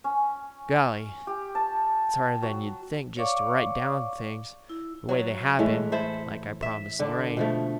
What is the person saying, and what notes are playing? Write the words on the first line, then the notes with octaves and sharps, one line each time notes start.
Golly! it's harder than you'd think just to write down things the way they happened, like I promised Lorraine.
C#4
G4
A5
F#3
C#5 D5 F5 C#6 D6
E4
F#3 F#4
A2 E3 G#3 A3
E4 A4 C5 E5
E5
D3 D4
B2 F3 A3